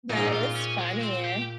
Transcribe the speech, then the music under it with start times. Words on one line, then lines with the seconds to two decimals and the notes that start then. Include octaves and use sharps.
Yeah, that is funny.
0.09 A#2 D#4
0.17 G#2
0.25 A#2
0.33 F4
0.56 C#4
0.79 G#3
1.01 C4
1.24 G4